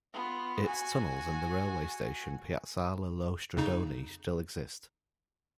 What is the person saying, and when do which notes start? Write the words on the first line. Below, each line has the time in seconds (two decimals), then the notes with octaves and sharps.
Its tunnels, and the railway station 'Piazzale Lo Stradone', still exist.
0.13 B3 F4
0.65 F#4 G#5
3.57 F2 C#3 D#4